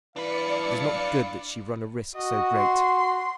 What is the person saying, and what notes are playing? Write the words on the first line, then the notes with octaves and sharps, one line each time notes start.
It is not good that she run a risk so great.
E3 D4 B4 D5 F5 C#7
F#4 D#5
C6